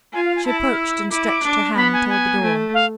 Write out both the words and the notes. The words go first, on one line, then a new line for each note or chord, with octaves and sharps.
She approached, and stretched her hand toward the door.
F4 G#5
F5
G#5
E4 A5
E6
F6
E6
E4 D6
D6
D4
B3 B5
G#5
G#5
A3
F5